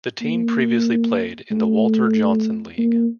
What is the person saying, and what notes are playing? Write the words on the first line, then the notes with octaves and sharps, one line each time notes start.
The team previously played in the Walter Johnson League.
A#3
A3
A#3